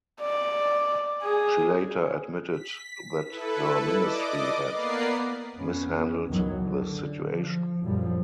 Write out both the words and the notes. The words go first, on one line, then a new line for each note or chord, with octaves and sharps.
She later admitted that her ministry had mishandled the situation.
D5
G#4
B6
E4 A4 B4
D5 D#5 D6
A#3 B3 A#4 B4 D5 C7
F2 B3 C#4
C#2 F#2 D#3 E3 F#3
D3
F3
F#2 A#2 D3 F3 G3